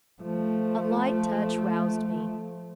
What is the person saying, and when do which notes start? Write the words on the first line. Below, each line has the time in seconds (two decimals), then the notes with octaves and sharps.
A light touch roused me.
0.22 F3 A3